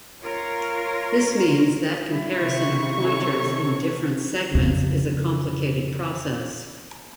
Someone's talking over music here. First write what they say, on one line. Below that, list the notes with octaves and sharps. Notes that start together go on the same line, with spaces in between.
This means that comparison of pointers in different segments is a complicated process.
F4 A#4 C#5
G3 E4
C3 D#3 C#6
A4 C#5
F2 C#3